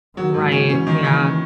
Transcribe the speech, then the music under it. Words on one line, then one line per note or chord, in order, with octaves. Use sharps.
Right, yeah.
D#3 F#3
G#2
C#4
E3 C#4
D#3
D#3
C#4